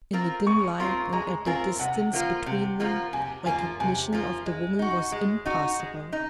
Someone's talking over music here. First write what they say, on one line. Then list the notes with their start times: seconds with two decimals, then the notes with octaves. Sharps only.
In the dim light, and at the distance between them, recognition of the woman was impossible.
0.13 C4 F4 A#4
0.46 G#3 C#6
0.80 C4 F4 A#4 C6
1.13 G#3 A#5
1.46 C4 F4 A#4 G#5
1.79 C3 F#5
2.13 F3 A#3 F4
2.46 C3
2.80 F3 A#3 F4
3.13 C3 G#5
3.46 F3 A#3 F4 G#5
3.80 C3 G#5
4.13 F3 A#3 F4
4.46 G#3
4.79 D#4 F#4
5.12 G#3
5.45 D#4 F#4
5.80 G#3
6.13 D#4